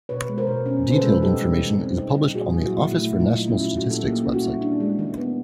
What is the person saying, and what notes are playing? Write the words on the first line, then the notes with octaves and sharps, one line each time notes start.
Detailed information is published on the Office for National Statistics website.
B2 B4 C#5
G#3
A#4 C5
B2
C#4
B2
C5
A4 B4
G#3
D#4 G4 A4
G3
D#3
C4
D#4
G3
A#2 F#4 G#4
F#3
E4 F#4
A#2
A3 E4 F#4
A#2
D#4 F4
F#3
C#4 E4
G3 D#4 F4
E4 F#4
A#2 G4 A4
A#3 F4 G4
C#4
E4 F#4
G3
D4
G#3
D#3
B3